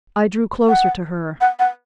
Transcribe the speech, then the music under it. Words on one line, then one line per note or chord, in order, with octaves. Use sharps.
I drew closer to her.
F#5
F#5
F#5